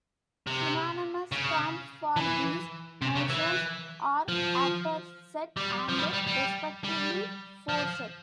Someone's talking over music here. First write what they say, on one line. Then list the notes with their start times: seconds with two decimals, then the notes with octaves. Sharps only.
Synonymous terms for these notions are afterset and respectively foreset.
0.47 C3
1.32 C#3
2.16 E3
3.02 C3
3.16 C#3
3.30 E3
4.28 F3
5.57 G3
5.89 F3
5.98 G3
6.13 G3
6.27 G3
6.84 G3
7.69 F3